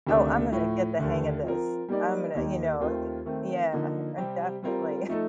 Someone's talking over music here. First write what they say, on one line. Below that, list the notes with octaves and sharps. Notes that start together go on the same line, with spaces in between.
Oh, I'm gonna get the hang of this. I'm gonna, you know eh Yeah, I I definitely.
D2 C3 D#3 A3 D4
A2 F3 A3
D#2 D3 A3
F3 C4 F4 A#4
G3 A#3 D#4 G4 D5
D#2 D#3 A#3 D#4 G4
D#2 D#3 A3 C4 F4
D#3 A3 C4
D3 F3 A#3 D#4
C3 G3 C4 G4
G3 C4 F4 A#4
F3 A3 D#4 A4